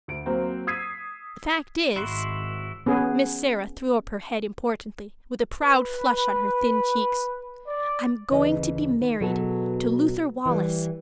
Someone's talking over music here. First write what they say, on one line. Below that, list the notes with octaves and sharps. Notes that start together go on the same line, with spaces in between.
The fact is--" Miss Sarah threw up her head importantly, with a proud flush on her thin cheeks--"I'm going to be married--to Luther Wallace.
D2 D7
F#3 A#3 C4
D#6 E6 G#6 B6 C7 D#7
G#1 E4 F#4 C6
B3 C#4 G#4
B4
D5
D2 C#3 E3 D#5
D#3
B2 F#3 G#3 B3 A4
E3 G3